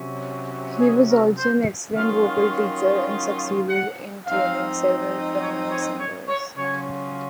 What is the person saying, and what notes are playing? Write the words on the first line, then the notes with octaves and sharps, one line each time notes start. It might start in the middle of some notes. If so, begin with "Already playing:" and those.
He was also an excellent vocal teacher and succeeded in training several prominent singers.
Already playing: C3 F#3 C#4
G#4
A#4
C5
D#3 F#3 C#4 F4 F5
F5
F#5
G#2 F3 C4 D#4 F5
C#5
C#5
C#5
C#5
C#3 F#3 C#4 F4 C#5